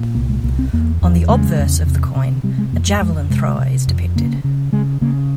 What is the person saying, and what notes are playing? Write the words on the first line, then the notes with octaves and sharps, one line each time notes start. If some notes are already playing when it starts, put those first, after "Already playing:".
On the obverse of the coin, a javelin thrower is depicted.
Already playing: A#2
C2 A#3
G#3
C2 A#3
C4
E2 A#3
E2
C#3 G#3
E2
C3
C3
C3 G3
G#3
F2 A#3
G#3
F2 G#3
C3 G#3
C3
F2
C#3 A#3
C#3
C#3 G#3
C#3 A#3